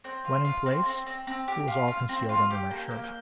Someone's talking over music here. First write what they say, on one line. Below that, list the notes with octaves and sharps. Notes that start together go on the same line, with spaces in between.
When in place it was all concealed under my shirt.
C4 G6
F4
F4
C4
C4
C4
C4
G4
F4
F4
C4
F4
G4 G6
A#3
G6
A#3
G6